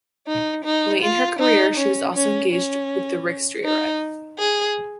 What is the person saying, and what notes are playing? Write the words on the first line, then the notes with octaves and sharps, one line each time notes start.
Late in her career she was also engaged with the Riksteatret.
D#4
D#4
F4
D#4
C#4
C#4
C#4
D#4
G#4